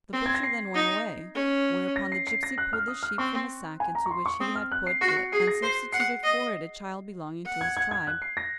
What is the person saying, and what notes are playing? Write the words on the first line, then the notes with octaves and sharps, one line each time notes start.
The butcher then went away; whereupon the gipsy pulled the sheep from a sack into which he had put it, and substituted for it a child belonging to his tribe.
C4
G#6
A#6
C7
D#4
C#4
A#6
C7
C7
A#6
F#6
F6
D#6
F6
C4 C#6
G#5
A#5
C#6
C6
C#6
C4 D#6
F6
F#6
C7
F#4 C7
C#7
G#4 C7
A#6
C5 C7
F#5 C7
D#5
F#5
G#6
G#6
G#6
F#6
C7
A#6